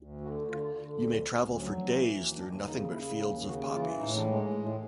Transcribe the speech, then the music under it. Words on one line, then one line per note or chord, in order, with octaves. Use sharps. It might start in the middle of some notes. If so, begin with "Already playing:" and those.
You may travel for days through nothing but fields of poppies.
Already playing: D2
D3 F#4
D3 F4
D3
D2 C4
D2 C4
F#3 C#4
E3 C#4
C#4
D#2
D#2 D4
C#3 D#4
C#3 E4
D#2
C#3 F#4
E3 F4
A2 D#4
D#4
D4
G#3
D#4
A2 A3
A3